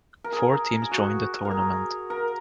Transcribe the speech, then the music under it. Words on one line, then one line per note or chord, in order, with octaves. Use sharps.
Four teams joined the tournament.
A#4
G#4
G#4
F#4
A#4
G#4
A#4